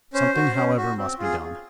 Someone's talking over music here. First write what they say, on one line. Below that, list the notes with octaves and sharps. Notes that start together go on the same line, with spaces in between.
Something, however, must be done.
C#4 C5
F#4
C#4
F#4
C4
F4 G#4